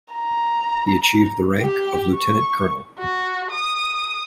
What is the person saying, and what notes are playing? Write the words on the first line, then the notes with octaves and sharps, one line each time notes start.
He achieved the rank of lieutenant colonel.
A#5
G4
C#6
F#4
D#6